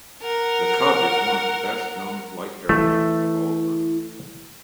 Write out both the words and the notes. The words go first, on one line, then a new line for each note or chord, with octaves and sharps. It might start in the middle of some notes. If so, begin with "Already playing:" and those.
The Cub is one of the best known light aircraft of all time.
A#4 F#5
E3 A3